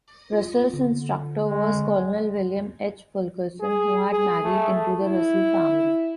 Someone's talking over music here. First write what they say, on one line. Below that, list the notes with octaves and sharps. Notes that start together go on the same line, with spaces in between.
Russell's instructor was Colonel William H. Fulkerson, who had married into the Russell family.
F4
D3
G#3
G#4
G#4
A3
E4